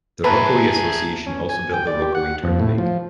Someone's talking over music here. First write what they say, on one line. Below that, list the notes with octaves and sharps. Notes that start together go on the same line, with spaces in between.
The Rockaway Association also built the Rockaway Turnpike.
G#4 B4 E5 A5 A#5
C#4
G#5
G5
D5
G4
F#5
F2
A2
F3